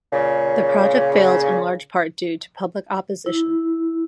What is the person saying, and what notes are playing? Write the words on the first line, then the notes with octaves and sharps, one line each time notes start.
The project failed in large part due to public opposition.
A#2 C#3
E4